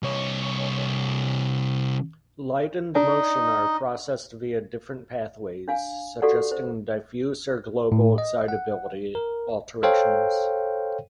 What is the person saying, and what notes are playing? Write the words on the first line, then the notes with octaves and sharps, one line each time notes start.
Light and motion are processed via different pathways, suggesting diffuse or global excitability alterations.
C2 C#5
D4 D#4 D#5
D4 F5 G#5
F#4 G4 A4 D5 F#5
C5
A2
D#5
F#5
A#4
A4 C5 C#5 F5 G5